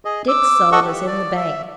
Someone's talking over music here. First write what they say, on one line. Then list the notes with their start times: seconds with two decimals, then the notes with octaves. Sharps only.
Dick's soul is in the bank.
0.05 G#4 D#5
0.28 D6 E6
0.72 A4 D#5 F#5 C#6 E6
0.85 G4
1.07 D5
1.36 E5